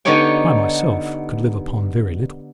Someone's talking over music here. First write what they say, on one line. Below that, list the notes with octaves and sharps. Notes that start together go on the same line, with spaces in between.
I myself could live upon very little.
D3 B3 D#4 G4 C#5 G5